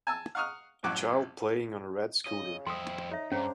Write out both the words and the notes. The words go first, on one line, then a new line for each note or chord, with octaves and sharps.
A child playing on a red scooter.
G#5 A5 E6
F5 F#5 C#6 D#6 F6
A1 F#2 F#5 C#6 D6
C#3 D#5
F2 C4 E4 C6 D#6
D#4 C#5 E5
G2 C#3 C#4 D4 C5 A#5